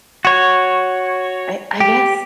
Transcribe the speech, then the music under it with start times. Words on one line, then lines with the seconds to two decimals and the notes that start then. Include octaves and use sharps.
I I guess,
0.25 F#4 C#5
1.80 G4